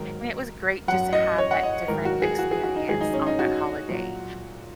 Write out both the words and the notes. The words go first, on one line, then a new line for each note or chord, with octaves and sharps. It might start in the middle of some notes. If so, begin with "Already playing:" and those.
and it was great just to have that different experience, on that holiday.
Already playing: G#2 D#3 F#3 A#4
F#2 F#3 F#5
D#5
C#5
F#5
D#5
G#2 D#3 F#3 A#4
F#4
G#4
F#4
G#4
F#4
D#4
G#2 D#3 F#3 G#4
D#4
C#4
D#4
F#4
A#2 F#3